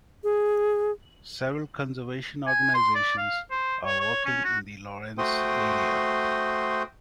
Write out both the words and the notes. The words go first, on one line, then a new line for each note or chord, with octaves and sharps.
Several conservation organizations are working in the Lorentz area.
G#4
G#5
C6
D5
F5
C5
C#5
C#5
C#4
F#4
A3 F#4 C5 G5 C6 D#6